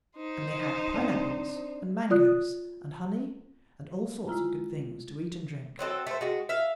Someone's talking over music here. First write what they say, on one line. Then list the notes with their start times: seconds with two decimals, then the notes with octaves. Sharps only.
And they had pineapples and mangoes and honey and all sorts of good things to eat and drink.
0.17 D#4 C5
0.94 C4 D4
2.10 F4 D5 D#6 F#6
4.28 G#3 E4 F4 A#5
5.79 F#3 C4 D#4 A4
6.07 A3 C5
6.21 G#3 F#4
6.49 E5 F5